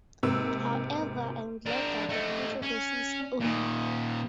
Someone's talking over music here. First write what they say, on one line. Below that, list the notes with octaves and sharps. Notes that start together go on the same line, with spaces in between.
However, I am glad that the controversy is over.
G#2 C3 A#3 B4 E6
D4 A#4
A3 D#4
C#4
A#2 D#3